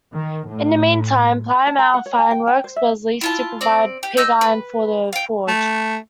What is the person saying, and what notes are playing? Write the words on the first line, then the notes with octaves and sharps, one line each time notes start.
In the meantime, Plymouth ironworks was leased to provide pig iron for the forge.
D#3
A2
A5
A#5
F#5
C#5
G#5
G5
G5
C5
E5
E4 F4 A5
C4 D5
G4
D#5 E6 G6
B4
F5 G5
A3